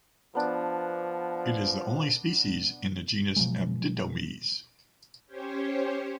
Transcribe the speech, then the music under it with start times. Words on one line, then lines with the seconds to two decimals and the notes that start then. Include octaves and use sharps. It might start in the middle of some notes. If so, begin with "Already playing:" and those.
It is the only species in the genus Abditomys.
0.35 F3 B3 D4
3.36 B2 F3 F#3 G#3
5.26 C#4 G4 C5 C#5